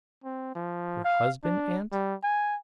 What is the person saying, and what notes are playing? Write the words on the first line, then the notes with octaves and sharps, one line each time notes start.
'Your husband, aunt?
C4
F3
F5
D4
G3
G#5